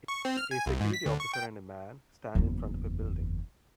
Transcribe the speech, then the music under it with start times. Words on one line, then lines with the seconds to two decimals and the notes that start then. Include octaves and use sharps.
A security officer and a man stand in front of a building.
0.08 C#6
0.25 C4
0.37 F6
0.51 G#5
0.66 C2
0.81 G#2
0.94 B6
1.06 D2
1.20 C#6
1.34 G5
2.35 F#1 E2